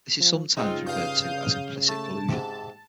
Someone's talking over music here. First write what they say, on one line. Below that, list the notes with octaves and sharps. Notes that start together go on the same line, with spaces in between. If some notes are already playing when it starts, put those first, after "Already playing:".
This is sometimes referred to as "implicit collusion".
F3
C#3 G#3 C4 D#4 F4
G2 F5 D#6 G6
A3 A5
G#2 C3